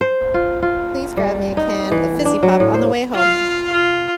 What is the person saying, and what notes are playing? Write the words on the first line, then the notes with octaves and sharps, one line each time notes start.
Please grab me a can of fizzy pop on the way home.
C5
F4
F4
G3
D#4
E3
D4
F#3
A2
C5
F4 F5
F4